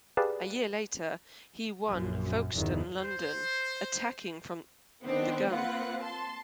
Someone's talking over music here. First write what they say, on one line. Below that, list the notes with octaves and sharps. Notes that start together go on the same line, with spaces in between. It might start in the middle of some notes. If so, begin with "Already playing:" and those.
A year later, he won Folkestone-London, attacking from the gun.
G4 G#4 B4 D5 F5 A5
A#1 F#2
F1 E2 G2 D#3
C5
D#3 B3 C4 D4
A#3 C4 F4 B4 F#5
A5 C6